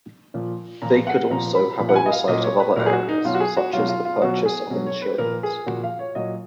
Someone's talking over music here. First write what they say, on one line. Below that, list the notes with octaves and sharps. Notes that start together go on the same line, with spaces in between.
They could also have oversight of other areas, such as the purchase of insurance.
A#2 F3
A#2 F3 A#5
F#5
A#2 F3 A#5
B5
A#2 F3 B5
F#5
G#5
D#5
F5
A#2 F#3 D#5
C#5
B4
A#2 F#3 A#4
G#4
F#4
D#4
B2 F#3 F4
F#4
G#4
F#4
B2 F#3 F4
F4
F4
B2 F#3 F#4
G#4
B2 F#3
C#5
B4
A#2 F3 A#4
G#4
A#2 F3 F#4
F5
C#5
A#2 F#3 D#5